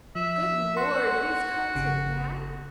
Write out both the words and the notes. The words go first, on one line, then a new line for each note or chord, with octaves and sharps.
"Good Lord, he's come to that!"
F3 E5
F#4 F#5 C6
G1 C#3